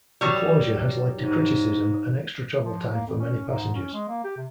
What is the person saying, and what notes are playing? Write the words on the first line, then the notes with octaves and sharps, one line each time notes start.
The closure has led to criticism and extra travel time for many passengers.
F#3 G3
G#2
F3
A#3
F2
C#4
G#2
C#4
G#3
A#3
G4
C3